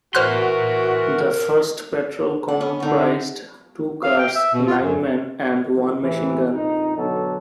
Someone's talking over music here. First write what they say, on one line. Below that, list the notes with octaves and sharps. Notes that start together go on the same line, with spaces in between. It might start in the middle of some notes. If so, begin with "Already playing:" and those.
The first patrol comprised two cars, nine men, and one machine gun.
E3 F#4 A#4 C5 C6 F6 F#6
F#5
B3 C#4 D#5
B2 D3 D#4
F5
G5
E5
B2
F4
F#2
F2 D#3
A1 E2 C3 E3
A#1 F2 D#4
B2 D3 F#3 B3 A4